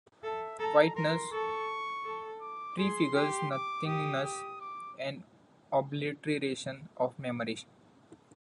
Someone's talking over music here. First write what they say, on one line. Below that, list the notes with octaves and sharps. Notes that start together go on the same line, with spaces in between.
Whiteness prefigures nothingness and obliteration of memory.
A4 E5
A4 A#5
A#4 C6
A4 C#6
A4
D6
G#4 C6
G4 C6
D6
G4 D#6
D#6
D6